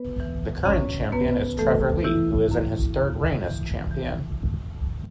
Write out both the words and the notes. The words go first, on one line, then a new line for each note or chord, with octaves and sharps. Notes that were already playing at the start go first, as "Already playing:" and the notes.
The current champion is Trevor Lee who is in his third reign as champion.
Already playing: B3 B4
E3
F#2 C#4 C#5
F#2 B3 B4
E3 A3 A4
E3 E4
F#2
F#2
E3
E3